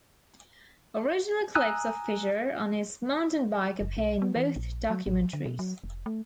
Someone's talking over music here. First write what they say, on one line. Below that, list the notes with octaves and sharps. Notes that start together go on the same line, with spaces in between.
Original clips of Fisher on his mountain bike appear in both documentaries.
G#5 A#5 D#6 E6 F#6
F#1
B1
B3
E3
A#1
F#3
A1
D3
B2
F#3
F1
A3